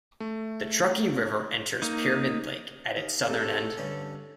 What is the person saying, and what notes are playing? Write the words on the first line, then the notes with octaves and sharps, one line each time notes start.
The Truckee River enters Pyramid Lake at its southern end.
A3
A#3 D#4
D#2
C3 A4
G2 D3 C#4